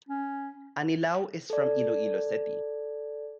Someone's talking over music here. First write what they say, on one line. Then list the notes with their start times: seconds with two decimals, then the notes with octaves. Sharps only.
Anilao is from Iloilo City.
0.09 C#4
1.50 A4 D5